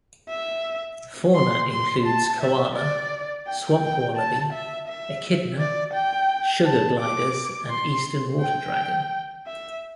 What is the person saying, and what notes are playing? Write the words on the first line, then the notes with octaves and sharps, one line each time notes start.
Fauna includes koala, swamp wallaby, echidna, sugar gliders and eastern water dragon.
E5
C6
C6
A5
E5
D5
G5
G5
A5
E5
E5
D5
G5
A5
D6
C6
G5
E5